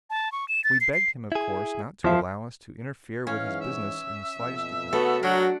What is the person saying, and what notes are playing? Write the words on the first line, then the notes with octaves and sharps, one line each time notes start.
We, begged him, of course, not to allow us to interfere with his business in the slightest degree.
A5
C#6
E7
A6
C7
C7
E4 G#4
E2 F3 E5 F5
G#2 E3 C#4 F5
E5
F2 B2
C#3 A3 B3 F#4 A4
F#3 D4 A#4 F#5